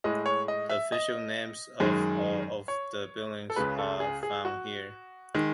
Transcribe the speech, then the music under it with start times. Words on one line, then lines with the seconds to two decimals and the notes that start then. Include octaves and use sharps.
The official names of all of the buildings are found here.
0.04 A2 G#3 D#5
0.26 C#5
0.48 D#5
0.69 E5
0.92 D#5
1.80 F#2 D#3 G#3
2.68 C#5
3.50 A4
3.56 C#2 C#3 G#3 B4
3.78 A4
4.00 G#4
4.23 G#4
4.45 F#4
5.34 D#3 G#3